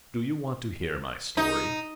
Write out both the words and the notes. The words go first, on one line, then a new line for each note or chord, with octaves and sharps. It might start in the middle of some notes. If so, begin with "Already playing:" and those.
"Do you want to hear my story?"
D#4